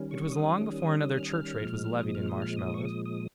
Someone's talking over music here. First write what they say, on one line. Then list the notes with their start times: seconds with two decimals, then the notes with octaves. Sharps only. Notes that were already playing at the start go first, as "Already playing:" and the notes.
It was long before another church-rate was levied in Marshmallows.
Already playing: D#3 G3 C#4
0.11 C#6
0.32 D#6
1.16 F6
1.24 D#6
1.31 F6
1.58 A#2 F3 G#3
2.01 D#6
2.15 F6
2.28 D#6
2.42 F6
2.57 D#6
2.74 C#6
2.85 D#6
3.05 D#6